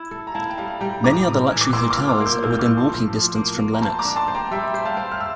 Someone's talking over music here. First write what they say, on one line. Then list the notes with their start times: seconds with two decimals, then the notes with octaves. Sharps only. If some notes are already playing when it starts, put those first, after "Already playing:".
Many other luxury hotels are within walking distance from Lenox.
Already playing: E4
0.11 A4
0.27 A#5
0.34 E4 F5 A5
0.50 G5
0.58 G3 F5 A5
0.81 G3 G5 A#5
1.04 A2 A#5 D6
1.28 A2
1.50 E3
1.61 D6
1.73 A#3 C6 E6
1.90 D6 F6
1.97 F4
2.08 D6 F6
2.20 A#3
2.25 E6 G6
2.43 A2 F6
2.51 G6
2.59 D6 F6
2.66 A2
2.77 A5 C6
2.89 F3
3.13 F3
3.35 A#3
3.59 A#3
3.74 A#5
3.82 C5 A5 C6
3.99 A#5 D6
4.05 D4
4.16 A5 C6
4.28 C5
4.35 G5 A#5
4.51 G3 E5 G5
4.74 C5
4.85 F5 A5
4.97 C5
5.12 F6
5.20 E6